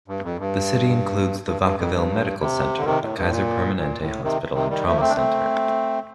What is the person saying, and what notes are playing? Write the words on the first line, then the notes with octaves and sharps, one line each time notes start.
The city includes the Vacaville Medical Center a Kaiser Permanente hospital and trauma center.
G2
F2
G2
G2
G2
F2
G2
C3
D3
C3 D#3
A2
G2
A2
A#2
A#2
A2
C3 D#3
C3 D#3
D#3 G3
F3 A3
A#3
A3 C4
D4
A3 C4